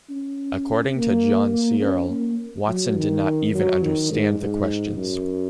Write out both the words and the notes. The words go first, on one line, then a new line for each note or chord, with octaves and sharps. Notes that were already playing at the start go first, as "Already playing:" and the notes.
According to John Searle, Watson did not even understand the questions.
C#4
A#3
A#3
C#4
A#3
F#3
D#3
F#3
D#3
G#2
G#2
F#2